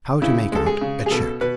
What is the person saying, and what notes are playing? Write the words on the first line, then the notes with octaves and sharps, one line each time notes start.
How to Make Out a Check.
C#3 E4
G#3 A4
G#4
C#3
G#4
B2 A4
B2 B4